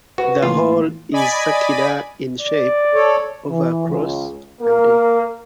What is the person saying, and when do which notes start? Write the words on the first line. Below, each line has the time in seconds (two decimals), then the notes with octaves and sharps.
The hole is circular in shape, over across and deep.
0.18 F#4 B4
0.42 A2 E3 A#3 F4
1.13 D5 D#5 G#5 B5
2.41 D5
2.94 A4 C#5
3.50 E3
3.88 C#2
4.61 A#3 A#4